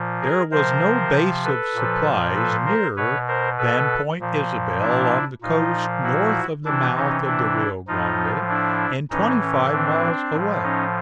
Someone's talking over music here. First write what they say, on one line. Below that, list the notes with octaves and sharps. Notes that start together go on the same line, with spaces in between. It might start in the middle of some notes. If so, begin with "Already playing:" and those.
There was no base of supplies nearer than Point Isabel, on the coast, north of the mouth of the Rio Grande and twenty-five miles away.
Already playing: A#2 F3
G#4 A#4
C3 F3 A#4 C5
A4 B4
A#2 F3
A4 B4
A#4 C5
B2 B4 C#5
A#4 C5
A4 B4
A#2 F3
D4 E4
A#2 F3 D#4 F4
E4 F#4
C3 E3 D4 E4
C#4 D#4
D4 E4
A2 F3 D#4 F4
D4 E4
A2 E3 C#4 D#4
C#4
C4 D4
A2 F3
C#4 D#4